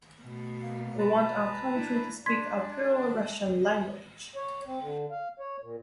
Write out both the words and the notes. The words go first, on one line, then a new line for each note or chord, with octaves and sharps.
We want our country to speak our pure Russian language.
B2 A3
A#3
B4 A5 A#5
D4 E4
D4 C6 G#6 B6
C#5
C4
D3
F5
C#5
A#2